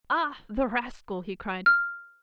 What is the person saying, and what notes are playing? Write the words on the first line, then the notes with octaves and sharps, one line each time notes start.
"Ah, the rascal!" he cried.
F6